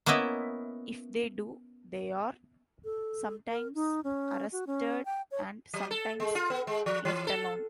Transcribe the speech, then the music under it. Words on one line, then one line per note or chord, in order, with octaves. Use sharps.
If they do, they are sometimes arrested and sometimes left alone.
A#3 B3 C#4 E4 D#5 E5
A4
A#4
D#4
C#4
F#4
C#4
G5
C#5
F#3
A4
G#3
F4
B3
G#3
F3
E3
A4